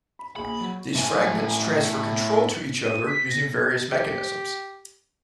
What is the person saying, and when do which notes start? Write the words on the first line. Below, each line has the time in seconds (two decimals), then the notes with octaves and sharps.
These fragments transfer control to each other using various mechanisms.
0.19 B5
0.36 A#1 A#2 G#4 B5
0.60 F#3
0.95 A2 G#5
2.84 D#7
3.07 B6
3.30 A#6
3.53 G#6
3.92 G4